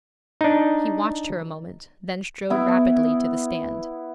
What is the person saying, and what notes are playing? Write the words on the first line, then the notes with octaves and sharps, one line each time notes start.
He watched her a moment, then strode rapidly to the stand.
D4 D#4
B3 E4